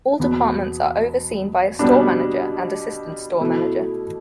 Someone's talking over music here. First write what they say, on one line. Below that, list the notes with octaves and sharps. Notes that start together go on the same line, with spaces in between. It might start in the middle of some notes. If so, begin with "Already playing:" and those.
All departments are overseen by a Store Manager and Assistant Store Manager.
E2 B2 B3
B2 G3 B3 D4
B2 A3 E4